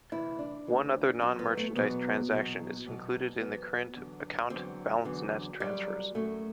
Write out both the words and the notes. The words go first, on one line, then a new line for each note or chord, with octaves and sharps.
One other nonmerchandise transaction is included in the current account balance-net transfers.
D2 C3 E3 E4
D4
D2 C3 E3
E2 B2 F#3 C4
B3
A3
E2 B2 F#3 B3
E2 B2 F#3
E2 B2 F#3
E2 D3 F#3 B3
E2 D3 F#3
E2 D3 F#3 C4
E2 D3 F#3
F#2 F#3 G3
F#2 F#3 A3